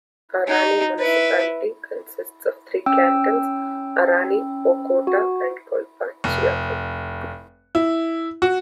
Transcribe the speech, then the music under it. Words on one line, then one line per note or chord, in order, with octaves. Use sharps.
Arani Municipality consists of three cantons, Arani, Pocoata and Collpaciaco.
D#4
E4 B4
C#4 G5 E6
F#4
F1
E4
F#4